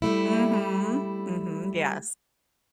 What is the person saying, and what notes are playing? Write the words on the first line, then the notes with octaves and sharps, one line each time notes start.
Mhm. Mhm. Yes.
G3 A3 E4